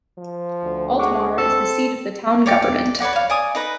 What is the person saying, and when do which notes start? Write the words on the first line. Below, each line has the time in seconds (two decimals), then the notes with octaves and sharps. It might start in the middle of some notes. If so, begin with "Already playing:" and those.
Altmar is the seat of the town government.
0.18 F3
0.64 D2
0.99 G#3 F#5 C#6 D6
1.38 C4 A4 E6
2.46 C#5 D5 G5 A5
2.62 D5
3.00 B4 C#5 D5 F#5
3.13 C#5 F5
3.30 D5 G#5 D#6
3.55 D#4 B4 A#5